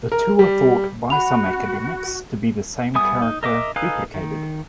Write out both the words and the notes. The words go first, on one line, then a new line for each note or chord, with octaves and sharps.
The two are thought by some academics to be the same character, duplicated.
A#4
G3
F#4 F#5 B5 F7
G3 B3 E5 G#5 D#6
D#4
A#4 D#5 E5 D6
D#4 A4 B4 F5 G#5
D#3